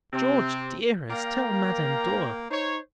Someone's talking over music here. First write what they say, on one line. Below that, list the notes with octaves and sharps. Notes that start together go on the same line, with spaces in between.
George, dearest, tell Madame Dor.
C3 C4
A#3 A#4 D5 F5 G5 A#5
D#4 C5 C#5